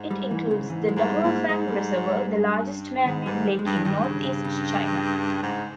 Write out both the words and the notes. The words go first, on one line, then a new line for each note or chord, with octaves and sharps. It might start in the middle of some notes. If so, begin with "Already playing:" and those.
It includes the Dahuofang Reservoir, the largest man-made lake in northeast China.
Already playing: G#2
G3
E3
C#3
G#2 E3
G#3
G#2 G3
G#2 A#3
G#2 G#3
G3
G3
G2
G#2 D#3
G#2 G3
G3
G#3
G2 G3
E3
G2 D#3
C#3
C#3
C#3
G#2